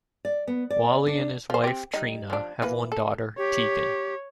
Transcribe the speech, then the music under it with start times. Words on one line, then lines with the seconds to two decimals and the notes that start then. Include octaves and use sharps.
Wahle and his wife, Trina, have one daughter, Teagan.
0.25 D5
0.47 B3
0.70 D5
1.06 D4
1.50 F3 C5
1.64 C4 G4
1.94 G3 D#4
2.30 F3 D4
2.62 E3 A#3 B4
2.92 A4
3.38 G4 C#5